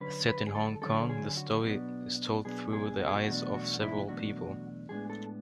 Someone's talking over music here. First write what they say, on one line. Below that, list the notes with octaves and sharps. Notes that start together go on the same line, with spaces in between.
Set in Hong Kong, the story is told through the eyes of several people.
D3 F#3 C#4 B4
B4
G#4
A4
D3 F#3 C#4 A4
G#4
F#4
B2 F#3 B3 D4
B2 F#3 B3 D4 G#4
G#4
F#4
G#4
F#4
E2 B2 F#3 A3 D4 F#4
F#4
E4
E2 B2 F#3 A3 D4 F#4
A2 G#3 B3 D4 G#4
A4